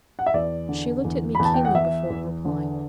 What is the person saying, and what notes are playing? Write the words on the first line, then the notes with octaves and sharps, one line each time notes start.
She looked at me keenly before replying.
F#5
E5
E2 D5
D3
E2
E2 B5
A5
G5
F#5
E2 E5
E2
D3